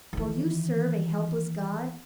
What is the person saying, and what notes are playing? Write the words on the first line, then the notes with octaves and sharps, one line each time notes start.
Will you serve a helpless god?
D#3 E3